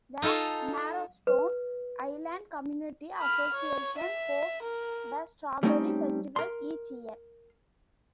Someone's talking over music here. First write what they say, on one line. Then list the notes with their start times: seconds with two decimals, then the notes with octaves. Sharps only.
The Marrowstone Island Community Association hosts the Strawberry Festival each year.
0.22 D#4 F4 A4 F5 G#5
1.27 B4
3.17 B5 F6
3.53 C#5
3.98 E5
4.62 A#4
5.63 G3 A3 C4 C#4 D#4
6.36 A#4 C6